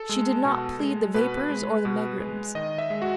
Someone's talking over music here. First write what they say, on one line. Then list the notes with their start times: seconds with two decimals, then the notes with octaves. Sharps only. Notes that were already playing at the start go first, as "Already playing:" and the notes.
She did not plead the vapours or the megrims.
Already playing: A4
0.09 G#3
0.45 B2
0.79 G#3
1.14 B2 B4
1.49 G#3
1.85 B2
2.20 G#3
2.55 D#3 D#5
2.78 E5
2.90 G#3
3.02 F#4